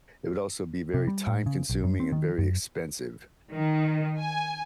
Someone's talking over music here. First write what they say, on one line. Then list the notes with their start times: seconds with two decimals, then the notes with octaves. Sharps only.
it would also be very time consuming and very expensive.
0.94 C3
1.07 G3
1.27 A2
1.46 C#3
1.70 B1
1.84 F#2
2.00 C4
2.12 D#3
2.38 F#2
3.52 D#3
4.20 G#5